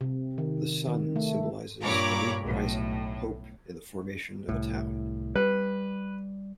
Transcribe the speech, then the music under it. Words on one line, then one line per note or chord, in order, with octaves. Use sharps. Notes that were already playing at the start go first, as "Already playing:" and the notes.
The Sun symbolizes a new horizon, hope in the formation of a town.
C3
D#3
D#3
A3
G2 A#2 C#5 A#5 B5 D6
B1 A2
C2 A2
G3 B4